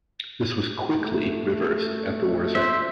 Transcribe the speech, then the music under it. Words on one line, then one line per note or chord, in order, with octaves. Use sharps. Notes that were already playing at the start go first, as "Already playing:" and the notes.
This was quickly reversed at the war's end.
A3
C5 E5